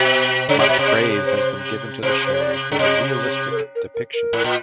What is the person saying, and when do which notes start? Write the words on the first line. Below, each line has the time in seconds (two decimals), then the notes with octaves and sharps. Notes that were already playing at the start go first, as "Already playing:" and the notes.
Much praise has been given to the show for the realistic depiction.
Already playing: B2
0.49 C#3 C#5
0.59 C3 D#5
0.67 B2 E5
0.79 C3
0.87 D#5
1.26 C5
2.02 C3 C5
2.27 C5
2.33 C#5
2.41 D5
2.72 C#3
2.79 C3 D#5
3.51 A#4
3.56 A4
3.75 A#4
3.95 A#4
4.14 A#4
4.33 A2
4.44 A#2